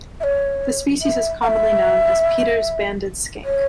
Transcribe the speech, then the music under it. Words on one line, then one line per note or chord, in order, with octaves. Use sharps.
The species is commonly known as Peters' banded skink.
E5
C#5
E5
F#5
E5
C#5